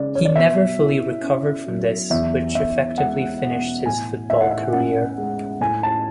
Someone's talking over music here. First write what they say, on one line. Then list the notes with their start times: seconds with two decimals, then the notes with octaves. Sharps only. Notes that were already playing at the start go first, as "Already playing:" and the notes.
He never fully recovered from this which effectively finished his football career.
Already playing: C#3 G#3 D5
0.15 C#5
0.25 D5
0.35 B2 E5
0.80 E4
1.23 C#4
1.67 F#3
2.10 E2 E5
2.55 E2 E5
2.98 G#3 F#5
3.42 B2
3.86 A2 G#5
4.30 A2 E5
4.41 F#5
4.51 E5
4.73 C#4 F#5
5.18 G#3
5.61 A2 G#5
5.83 A5